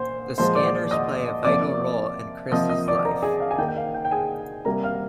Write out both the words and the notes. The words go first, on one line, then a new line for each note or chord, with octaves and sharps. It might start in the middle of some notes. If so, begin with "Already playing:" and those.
The scanners play a vital role in Chris' life.
Already playing: A#2 C5 C6
A#2 F3 G#3 C5 C6
D5 D6
D#5 D#6
C3 F3 A#3 D5 D6
C3 F3 A#3 D#5 D#6
D#5 D#6
D5 D6
A#4 A#5
G#4 G#5
F5
G#5
D#3 A#3 G5
G5
F5
G5
G5
G#4 G#5
C3 G3 A#3 A#4 A#5
F5 F6